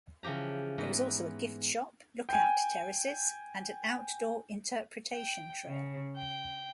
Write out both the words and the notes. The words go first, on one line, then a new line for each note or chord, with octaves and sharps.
There is also a gift shop, lookout terraces, and an outdoor interpretation trail.
C#3 E3 F3 G4 A#5
G#2 E3 B3 A#4
G5 G#5
G5
C#3
G5